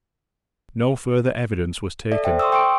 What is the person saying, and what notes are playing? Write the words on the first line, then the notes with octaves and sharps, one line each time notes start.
No further evidence was taken.
A4 D5 E5
A4 C5 E5 G5
C6 C#6 D#6 E6
G5 C6 C#6 D#6 D7